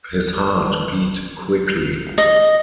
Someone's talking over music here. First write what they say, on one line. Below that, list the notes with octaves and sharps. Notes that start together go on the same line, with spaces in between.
His heart beat quickly.
D#5